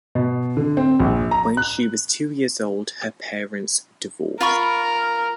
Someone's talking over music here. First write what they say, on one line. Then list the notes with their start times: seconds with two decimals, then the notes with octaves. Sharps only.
When she was two years old her parents divorced.
0.15 B2
0.57 D3
0.77 C4
1.00 A#1
1.31 A#5
1.57 F#6
4.41 F4 A#4 B5 C#6